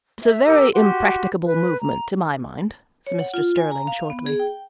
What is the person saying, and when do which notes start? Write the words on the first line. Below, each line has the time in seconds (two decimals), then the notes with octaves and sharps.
"It's a very impracticable movement, to my mind," said Mr. Sterling shortly.
0.23 E5
0.45 G4 A#4 D6 E6
0.74 F#4 G4 C6
1.44 B4
1.79 A#5
3.07 C#5
3.20 F#5
3.34 F4
3.57 G#5
3.71 A#5
3.87 F5
4.10 B3
4.26 G#4
4.39 G5